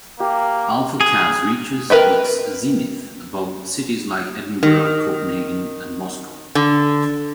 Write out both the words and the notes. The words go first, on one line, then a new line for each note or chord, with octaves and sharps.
Alpha Cas reaches its zenith above cities like Edinburgh, Copenhagen and Moscow.
A#3 G4
G#4
A#4 B4 E5 G5
D#3
D3